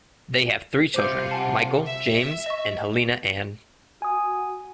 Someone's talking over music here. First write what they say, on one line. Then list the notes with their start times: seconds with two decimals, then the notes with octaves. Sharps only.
They have three children, Michael, James and Halina Anne.
0.94 C3 G3 F4 C5 D6 G6
1.31 F#5 G#5 A5
1.86 E5
2.46 D#5 C#6
4.02 F#4 G#5 D#6